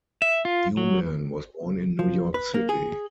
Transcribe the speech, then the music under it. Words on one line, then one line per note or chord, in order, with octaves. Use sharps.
Newman was born in New York City.
E5
F4
F#3
F3
B4
A#3
G#4